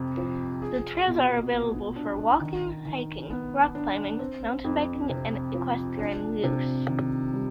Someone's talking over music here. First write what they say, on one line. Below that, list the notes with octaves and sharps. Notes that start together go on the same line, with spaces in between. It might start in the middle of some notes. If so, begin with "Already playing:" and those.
The trails are available for walking, hiking, rock climbing, mountain biking and equestrian use.
Already playing: F2 C3
F3
G#4
B2
B3
D4
D#3
D#3
B3
D4
C4
F2
C3
F3
D4
C3
D#3
G3